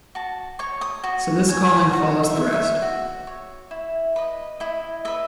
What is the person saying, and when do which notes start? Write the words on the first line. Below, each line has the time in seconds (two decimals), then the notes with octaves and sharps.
So this calling follows the rest.
0.15 F#4 A5
0.59 C#5 C#6
0.81 D#6
1.03 F#4 C#6
1.48 C#5 G#5
1.93 F#4 F#5
2.23 E5
2.37 C#5
2.53 E5
2.82 F#4
3.27 C#5
3.71 E4
4.16 B4 D#5
4.60 E4 D#5
5.05 B4 D#5 E5